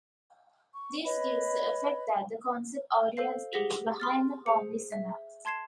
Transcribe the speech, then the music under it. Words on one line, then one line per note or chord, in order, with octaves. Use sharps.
This gives the effect that the concert audience is behind the home listener.
C#6
B4 C#5 D#5 B5
A4 C5 F5 C7
G4 G#4 F#5 A#6 B6
C6 F6 A6
G#4 C5 C#7
E5
A5 C6 G#6 C7 E7